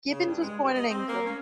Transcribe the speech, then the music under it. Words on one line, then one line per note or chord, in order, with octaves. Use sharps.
Gibbons was born in England.
C#3
G2
G#3
G2
D#5
C4
A#3
C#4